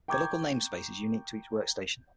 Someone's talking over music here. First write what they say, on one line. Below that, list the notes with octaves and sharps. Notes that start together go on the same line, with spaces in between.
The local name space is unique to each workstation.
G5 A#5 C#6 D6 G6 G#6